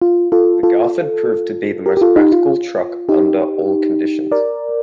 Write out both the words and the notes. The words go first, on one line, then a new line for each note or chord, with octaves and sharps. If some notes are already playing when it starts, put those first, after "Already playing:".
The Garford proved to be the most practical truck under all conditions.
F4
F4 A4
F4 A4
G4 A#4
G4
F4 A4
D#4 G4
F4
D#4 G4
A#4 D5